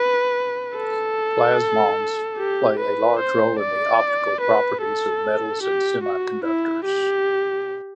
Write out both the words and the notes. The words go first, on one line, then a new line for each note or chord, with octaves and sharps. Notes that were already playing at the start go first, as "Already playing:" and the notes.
Plasmons play a large role in the optical properties of metals and semiconductors.
Already playing: B4
A4
G4
B4
C5
D5
B4
A4
G4
F#4
E4
G4